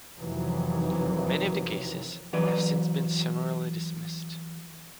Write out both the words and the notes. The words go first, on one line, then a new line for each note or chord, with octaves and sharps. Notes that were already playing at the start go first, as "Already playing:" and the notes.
Many of the cases have since been summarily dismissed.
F1 F2 C3 D#3 E3 F#3
E3 F#3 B4 D5